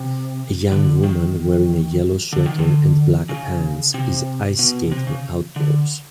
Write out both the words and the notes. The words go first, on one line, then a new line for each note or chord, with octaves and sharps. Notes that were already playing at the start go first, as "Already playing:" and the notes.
A young woman wearing a yellow sweater and black pants is ice skating outdoors.
Already playing: C3
D3
D#3
D3
D#3
D3
C#3
C3
B2
C3
C#3
D3